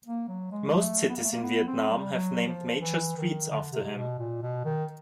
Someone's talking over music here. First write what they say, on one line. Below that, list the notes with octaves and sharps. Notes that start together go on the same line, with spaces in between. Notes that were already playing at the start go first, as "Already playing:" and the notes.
Most cities in Vietnam have named major streets after him.
A#3
F#3
G#3
G#3
A3
B3
A#3
A3
A#3
B3
C4
G3
F#3
F3
E3
D#3
D3
C3
B2
A#2
B2
D#3